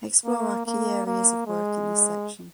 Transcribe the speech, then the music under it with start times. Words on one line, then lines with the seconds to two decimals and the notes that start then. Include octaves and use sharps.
Explore our key areas of work in this section.
0.25 A#3
0.66 A#3
1.06 A#3
1.46 G#3